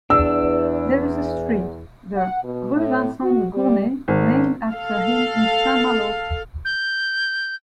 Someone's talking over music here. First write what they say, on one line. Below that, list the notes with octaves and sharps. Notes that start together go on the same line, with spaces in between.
There is a street, the "Rue Vincent-de-Gournay", named after him in Saint-Malo.
E2 D4 E6
F#5
B2
A2
F#4
G3
G#1
A4 F5
G6